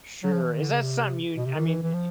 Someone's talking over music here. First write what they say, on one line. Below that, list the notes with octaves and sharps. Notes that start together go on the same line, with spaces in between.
Sure. Is that something you, I mean,
F#3
F3
E3
D#3
D3
C#3
C3
B2
C3
D#3
E3
E3
F3